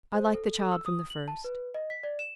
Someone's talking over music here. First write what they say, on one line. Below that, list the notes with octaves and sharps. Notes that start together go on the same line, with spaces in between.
I liked the child from the first.
C5
A4
A4
E6
D#6
F#7
A5
B4
D#5
B6
D5
E7